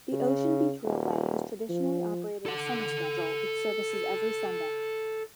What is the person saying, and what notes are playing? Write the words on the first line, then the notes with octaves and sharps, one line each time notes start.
The Ocean Beach Railway has traditionally operated a summer schedule with services every Sunday.
C#3
D#1
F3
A4 F#5